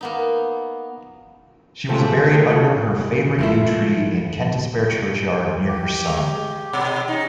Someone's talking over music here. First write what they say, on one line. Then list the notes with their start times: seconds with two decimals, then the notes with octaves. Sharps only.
She was buried under her favourite yew tree in Kentisbeare churchyard, near her son.
0.01 A#3 B3 D#4
1.89 F3 G#3 A3 C4
2.01 D5 E5
2.17 D#3
2.31 D#3 A3 D#4
2.48 F3 F#3 A3 D#4
3.39 F3 A3 E4
5.68 G4
6.05 G#3
6.73 B2
7.08 C#4 D#4